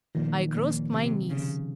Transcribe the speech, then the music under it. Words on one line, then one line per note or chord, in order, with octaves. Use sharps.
I crossed my knees.
A#2 D#3 F3
A#2
C3
C#3